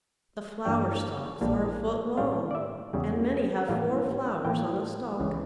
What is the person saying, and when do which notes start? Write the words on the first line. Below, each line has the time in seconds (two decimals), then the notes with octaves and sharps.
The flower-stalks are a foot long, and many have four flowers on a stalk.
0.65 G2 E3 G3 D4 G5
1.41 A#1 A2 G3 A#3 D4
2.17 A2 G3 D4 F5
2.51 D5
2.55 E5
2.93 E2 C#3 G3
3.68 A2 E3 G3 A#3 F5
4.45 A2 E3 A#3 G5
5.20 C#2 C#3 E3